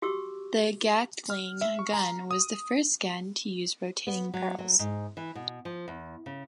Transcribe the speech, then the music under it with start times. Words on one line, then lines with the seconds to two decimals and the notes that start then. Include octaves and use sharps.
The Gatling gun was the first gun to use rotating barrels.
0.02 F#4 G4 C#6 D6 E6
1.30 F6
1.61 E5
1.79 C#6
1.93 A#5
2.31 D#6
4.07 B3
4.34 F#3
4.59 F#3
4.79 G#2
5.17 E3
5.35 B2
5.65 F3
5.88 E2
6.26 C#3